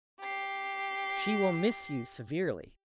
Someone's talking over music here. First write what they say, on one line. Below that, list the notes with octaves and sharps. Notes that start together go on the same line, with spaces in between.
"She will miss you severely."
G4 C7